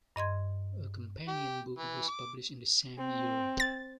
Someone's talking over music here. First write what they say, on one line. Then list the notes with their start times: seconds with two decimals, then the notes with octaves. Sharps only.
A companion book was published in the same year.
0.16 G2 D#5 C6 G#6
1.28 G4
1.78 E3
2.08 D6
2.98 C4
3.60 A6